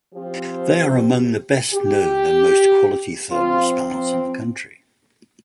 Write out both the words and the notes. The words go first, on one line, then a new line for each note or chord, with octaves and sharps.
They are among the best known and most quality thermal spas in the country.
F3 C4 G4
G4
F3 C4 F4